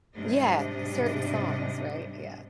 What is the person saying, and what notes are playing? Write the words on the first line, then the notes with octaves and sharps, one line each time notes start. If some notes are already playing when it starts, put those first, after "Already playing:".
Yeah. Certain songs, right? Yeah.
G#2 C3 G3 D4 D#5